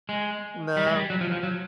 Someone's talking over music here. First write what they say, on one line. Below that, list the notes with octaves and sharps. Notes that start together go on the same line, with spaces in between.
No m
G#3
G3
G#3
G3
F#3
F3
F3
F#3